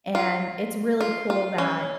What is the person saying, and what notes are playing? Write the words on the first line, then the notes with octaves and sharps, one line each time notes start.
and it's really cool that
F4
F4
F4
C#4